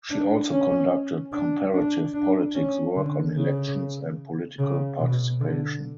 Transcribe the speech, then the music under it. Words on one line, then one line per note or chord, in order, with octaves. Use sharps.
She also conducted comparative politics work on elections and political participation.
D4
C#4
D4
D4
D4
C#4
D3
C#3
C#3
B2
D3